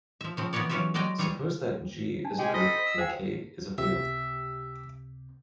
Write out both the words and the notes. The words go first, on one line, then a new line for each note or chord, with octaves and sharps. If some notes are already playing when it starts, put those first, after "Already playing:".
Suppose that "G" is a group and "K" is a field.
F3 E5
C#3 F3 C4
E3 B3 A#4 B4 C#5 D5
E3 F#3 C#4 F4 G4 E5
F#3 G#3 D5 D#5 G5 A#5
E3 G3 G#4 C#5
D4 A5
G#3 G4 G5 G#5
A4 C5 D#5 B5 B6
E6
G#4 C5 F5 G5
C#2 C3 G4 E5